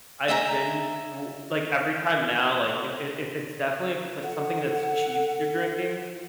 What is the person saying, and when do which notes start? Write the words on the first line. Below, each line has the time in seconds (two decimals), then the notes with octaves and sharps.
I I've been w like, every time now, like, if if if it's definitely, if it's, like, something that's cheap you're drinking,
0.28 D#5 E5 G#5 A#5
4.22 A4 F#5